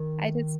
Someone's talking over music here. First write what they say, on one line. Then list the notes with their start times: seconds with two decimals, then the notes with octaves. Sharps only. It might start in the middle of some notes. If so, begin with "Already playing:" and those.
I just
Already playing: D#3